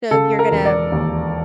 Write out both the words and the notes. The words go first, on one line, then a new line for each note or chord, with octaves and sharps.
so you're gonna
C#3 A4
A#4
E1
D5
D#2